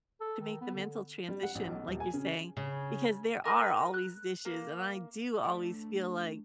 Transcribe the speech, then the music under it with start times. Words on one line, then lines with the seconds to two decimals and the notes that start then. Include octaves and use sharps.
to make the mental transition like, you're saying, because there are always dishes, and I do always feel like
0.21 A4
0.40 D#3
0.61 B3
0.74 D3
1.28 G3
1.43 F#5
1.55 A1
1.67 B1
1.87 D#1
2.00 G#5
2.13 C#3
2.57 C#3
3.44 D#4 A#4 B4
3.94 F#6
4.45 A#3
5.42 D2 A3 D5